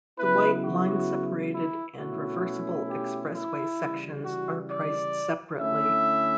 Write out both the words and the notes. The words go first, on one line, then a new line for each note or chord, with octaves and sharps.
The white line-separated and reversible expressway sections are priced separately.
C#3 F#3 B3 E4 B4
F#4
E4
B2 A3 C#4 E4 F#4
G4
E4
C#3 E3 G3
F#4
D5
D3 A3 C#4 E4 E5